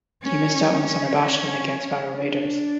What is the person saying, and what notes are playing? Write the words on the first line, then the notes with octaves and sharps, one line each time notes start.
He missed out on the Summer Bash win against Barrow Raiders.
C#4
C#4
D4